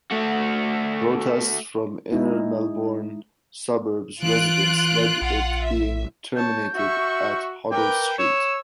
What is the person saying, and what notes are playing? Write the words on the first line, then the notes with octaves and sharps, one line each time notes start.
Protests from inner Melbourne suburbs residents led it being terminated at Hoddle Street.
A3 F#4
G#3 D#4 E4
E3 F4 F#6 D7
A#1 F4 F#5
E5
C#5 A5 G6
F#4 E5 C#6
A#4 B4 G5 D6
C#5 E6 E7